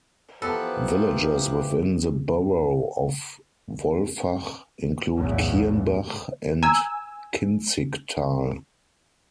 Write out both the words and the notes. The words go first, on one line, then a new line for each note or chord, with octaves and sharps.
Villages within the borough of Wolfach include Kirnbach and Kinzigtal.
E3 F3 B3 G4 A4 A#4 C5 F#6
B1 E2 A2 C#3
G#5 A#5 E6